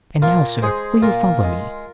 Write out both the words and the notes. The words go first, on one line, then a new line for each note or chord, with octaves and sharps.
And now, sir, will you follow me?
A#2 F4 A#4
G#3 G#4 C5
A#2 F4 A#4
G#3